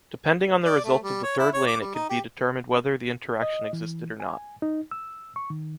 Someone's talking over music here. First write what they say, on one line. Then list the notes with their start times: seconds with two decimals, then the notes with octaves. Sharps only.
Depending on the result of the third lane it can be determined whether the interaction existed or not.
0.64 D5
0.85 A3
1.03 G3
1.24 C#5
1.39 E4
1.54 C#5
1.67 D6
1.81 G3
1.95 D#4
2.10 G4
3.42 D#5
3.73 E3
4.20 G#5
4.62 D#4
4.91 E6
5.36 C#6
5.50 D#3